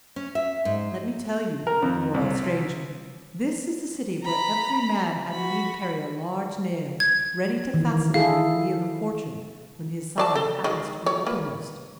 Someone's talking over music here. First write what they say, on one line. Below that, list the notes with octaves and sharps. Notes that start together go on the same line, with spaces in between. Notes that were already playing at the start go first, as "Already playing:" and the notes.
Let me tell you--for you are a stranger--this is a city where every man had need carry a large nail ready to fasten on the wheel of Fortune when his side happens to be uppermost.
C#4
E5
G#2
A#4
F2
C2
A#5 B5
F#4 B5
G#6
D#3 E3
E4 G#4 A4 F5
F#3 D5 A5
A4
D#3 F#3 G#3
C#5
A#3 B4